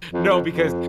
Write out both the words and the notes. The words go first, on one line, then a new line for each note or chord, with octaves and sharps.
"No, because
F2
F2
F2